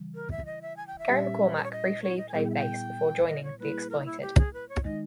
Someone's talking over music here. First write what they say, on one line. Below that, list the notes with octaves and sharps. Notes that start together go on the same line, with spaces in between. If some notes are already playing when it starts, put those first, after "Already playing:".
Gary McCormack briefly played bass before joining The Exploited.
Already playing: C#3 E3 G3
A#4
E5
D#5
E5
G#5
G5
E5
A#2 G3 C#4 G4
B4
C#5
D#5
C#5
D#5
G#5
A#2 G3 B3 E4 G#4 G5
G5
E5
G5
D#5
C#5
G3 A#3 E4 G#4 B4
A#4
D#4
E4
G4
G#4
B4
C#5
D#3 G#3 D#4 D#5